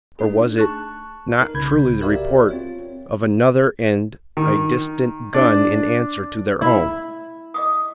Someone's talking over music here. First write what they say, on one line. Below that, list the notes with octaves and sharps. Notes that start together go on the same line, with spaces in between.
Or was it not truly the report of another and a distant gun in answer to their own?
A3 D4 D#4 G#4
A5 C#6 F#6
D#4 A#4
C2 C#3 B5 G6 G#6
F#4 G4 A#4 D5 E5 F5
C4 F4 C#5
D#3
D4
E4
D#5 D6 D#6